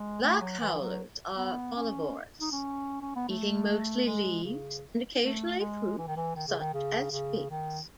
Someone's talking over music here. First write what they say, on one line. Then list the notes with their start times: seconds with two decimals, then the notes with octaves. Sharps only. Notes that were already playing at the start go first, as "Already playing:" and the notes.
Black howlers are folivorous, eating mostly leaves, and occasionally fruit, such as figs.
Already playing: G#3
0.22 A3
0.41 F#3
0.60 E3
0.80 F#3
1.37 B3
1.76 C#4
2.41 D#4
2.52 C#4
3.01 C#4
3.16 B3
3.29 A3
4.06 G#3
4.43 C#3
5.20 A3
5.59 G#3
5.98 E3
6.07 D#3
6.17 E3
6.36 D#3
6.48 C#3
6.60 D#3
6.74 C#3
7.12 C#3
7.50 D#3